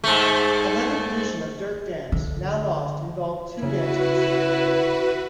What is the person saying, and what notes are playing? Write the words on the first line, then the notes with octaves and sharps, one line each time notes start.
Another tradition of dirk dance, now lost, involved two dancers.
G#2 A3
D3
C#3 E4 F#4 B4